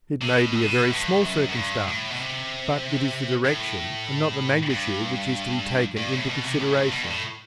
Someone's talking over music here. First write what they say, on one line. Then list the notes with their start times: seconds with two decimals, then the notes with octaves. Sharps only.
It may be a very small circumstance, but it is the direction and not the magnitude which is to be taken into consideration.
0.21 C3
0.30 B2
0.55 A2
0.62 B2
0.89 F#2
0.93 G2
1.24 F#2
1.49 F#2
1.56 G2
1.88 A2
2.11 B2
2.19 C3
3.45 A2
4.71 G2
5.97 G2
6.13 A2
6.29 B2
6.44 C3
6.59 A2
6.76 G2
6.91 B2
7.03 G2
7.08 A2